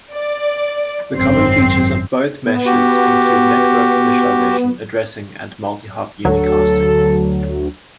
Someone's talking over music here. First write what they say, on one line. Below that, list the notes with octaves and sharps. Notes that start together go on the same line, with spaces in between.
The common features of both meshes include network initialization, addressing, and multihop unicasting.
D5
G#1 F#2 C4 C7
B3
F#4 G4
D2 D3 F#3 A4